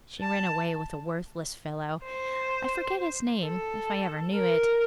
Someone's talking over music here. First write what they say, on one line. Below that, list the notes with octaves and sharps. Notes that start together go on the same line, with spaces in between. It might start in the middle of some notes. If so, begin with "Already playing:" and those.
She ran away with a worthless fellow--I forget his name, if I ever knew it.
A5
C5
A4
A#4